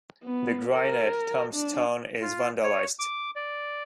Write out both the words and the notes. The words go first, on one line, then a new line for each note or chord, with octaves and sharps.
The granite tombstone is vandalised.
B3
A#4
D4
F4
C#5
D6
D5